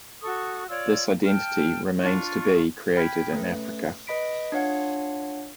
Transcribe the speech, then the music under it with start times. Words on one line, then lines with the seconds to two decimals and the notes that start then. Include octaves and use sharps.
This identity remains to be created in Africa.
0.22 F#4 A4 C#6 D#6
0.68 F4 C#5 D5 E6
1.26 G5 A5 F6
2.02 D4 F4 C#6
2.97 G5 B5 F6 G#6 B6 D7
3.33 A3 C#4 B4
4.07 B4 D#5 B5 B6 D7
4.52 D4 F4 C#5 F5 F#5